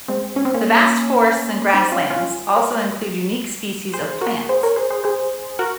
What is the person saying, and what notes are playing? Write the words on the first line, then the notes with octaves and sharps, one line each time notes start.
The vast forests and grasslands also include unique species of plants.
G#3 C4
C#4
C4
A#3 C#4
C4 D#4
C#4 F4
C#4 F4
A#4 C#5
G#4 C5
F#4 A#4
G#4 C5
A#4 C#5
G#4 C5
G#4 C5
G#4 C5
F#4 A#4